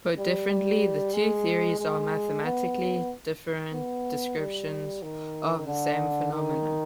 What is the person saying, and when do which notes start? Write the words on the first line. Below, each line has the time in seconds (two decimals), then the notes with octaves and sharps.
Put differently, the two theories are mathematically different descriptions of the same phenomena.
0.18 G3
0.49 G3
1.14 G#3
1.80 G#3
2.44 B3
3.73 B3
4.37 G3
5.02 D#3
5.66 D3
6.32 D#3